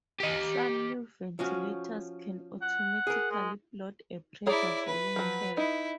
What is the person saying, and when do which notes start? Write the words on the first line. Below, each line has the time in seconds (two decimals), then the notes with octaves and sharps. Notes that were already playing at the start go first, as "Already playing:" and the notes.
Some new ventilators can automatically plot a pressure-volume curve.
0.20 G4 D#5
1.39 F3 C#4 F#4
2.62 F#5
3.07 G#4 A#4
3.31 G#3
4.47 E4 G#4 C#5 D5 A#5
4.86 B4
5.16 F3 F#3
5.57 D#4 E4